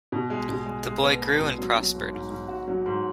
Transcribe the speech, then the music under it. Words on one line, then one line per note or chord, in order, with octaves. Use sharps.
The boy grew and prospered.
B2
G#3
B2
G#3
G#3
B3
B3
B2
F#3
F#3
G#2
G#2
G#2
F#4
F#3
G#2